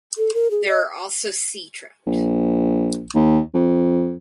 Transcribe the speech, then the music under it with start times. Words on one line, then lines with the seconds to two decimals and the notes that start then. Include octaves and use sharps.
There are also sea trout.
0.18 A4
0.34 A#4
0.51 G#4
0.69 D#5
2.06 A#1
3.15 D#2
3.54 F2